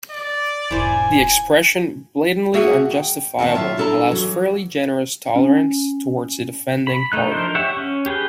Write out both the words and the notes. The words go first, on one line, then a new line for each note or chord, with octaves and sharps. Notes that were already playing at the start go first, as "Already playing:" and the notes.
The expression "blatantly unjustifiable" allows fairly generous tolerance towards the defending party.
D5
E1 G#2 E4 C5 G#5
A3 A#3 F#4 G#4 E5 F#5
G5
D#3 C4 G#5 A5
F#3 F4 E5
D4 E4 A4 G5 A#5
E3 F#3
C#4
B5
A3 D#4 F#6
F3 D4 D#4 A#4 C5
G4 C#5 E5 F#5
C#4
G4 G#4 B4 G5